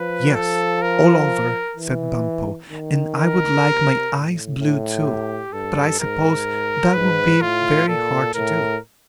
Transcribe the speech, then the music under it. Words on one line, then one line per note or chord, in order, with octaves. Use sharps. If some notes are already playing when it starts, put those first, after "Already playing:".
"Yes, all over," said Bumpo--"and I would like my eyes blue too, but I suppose that would be very hard to do."
Already playing: F3 B4
F3 A4
A#4
E3
D#3
A#4
C3
A2
A2
G4
G2 A4
G#2 A#4
G#2 B4
A2 F4
A#2 A4
A2 A#4